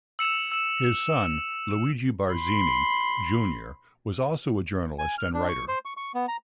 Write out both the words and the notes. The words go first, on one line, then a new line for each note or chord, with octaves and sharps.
His son Luigi Barzini, Junior was also a journalist and writer.
E6 C#7 E7 F7
E6 E7
B5 C6
G#5
F6
D4
C#6
C5
C#6
C#6
B3
A#5